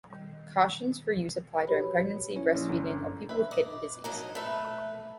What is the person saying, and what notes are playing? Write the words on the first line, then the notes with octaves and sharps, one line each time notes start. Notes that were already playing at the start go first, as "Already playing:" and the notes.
Cautions for use apply during pregnancy, breast feeding, or in people with kidney disease.
D#3 G3
F#4 G4 B4 C#5 B5
C#4 E4 C#5
A#1
G1
B4 E5
D5 D#5
G2 F3 F#3 A#3 D#4
A3 A4 B4 E5